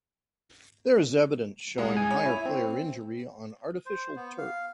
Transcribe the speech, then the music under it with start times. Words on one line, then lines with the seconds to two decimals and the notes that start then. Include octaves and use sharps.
There is evidence showing higher player injury on artificial turf.
1.78 C2 G#3
1.97 G#5
2.10 C#5
2.26 E4
2.46 C4
3.86 C5
4.16 B3
4.38 F5